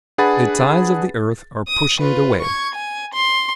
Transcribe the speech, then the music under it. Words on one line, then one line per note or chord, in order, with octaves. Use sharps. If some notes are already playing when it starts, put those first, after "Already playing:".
The tides of the earth are pushing it away.
D4 G#4 B4 F#5 B5 A6
D#6
F4 B4
C#6 G#6
G#5
C6